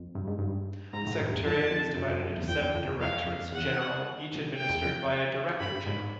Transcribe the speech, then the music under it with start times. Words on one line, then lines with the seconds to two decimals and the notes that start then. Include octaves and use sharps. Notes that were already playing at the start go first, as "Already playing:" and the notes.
The Secretariat is divided into seven directorates-general, each administered by a director-general.
Already playing: F2
0.15 G2
0.27 G#2
0.39 G2
0.93 G#2 A#5
1.07 A2
1.19 G2
1.32 E2
1.45 F2 A5
1.71 F2
1.97 F#2
2.10 F#2
2.23 F#2
2.36 E2
2.48 F2 G5
2.62 E2
2.75 F2
2.88 E2
3.01 F2 F5
3.27 F2
3.52 E2 F#5
4.57 G5
4.70 E2
4.83 F2
5.60 G2 B5
5.86 G#2